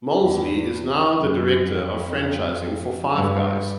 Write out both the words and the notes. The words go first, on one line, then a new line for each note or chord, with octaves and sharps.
Moseley is now the Director of Franchising for Five Guys.
E2
F#2
F2
G2